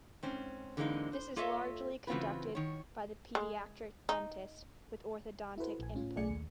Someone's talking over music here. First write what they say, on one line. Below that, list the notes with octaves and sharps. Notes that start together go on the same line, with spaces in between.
This is largely conducted by the paediatric dentist with orthodontic input.
G#2 C4 C#4
D3 E3 G#3 A#3 C4 D#4
C5
A#3 F4 A4 C#5 D#5 E5
C#3 E3 C4 F4 F#4 B4
D#3 C#5
G#3
D#4
E4 F#4 A4 B4 C5
A#1 G#5
A2 C#4 F4
B1 A3 G#4 D5 G#5 C#7
D#2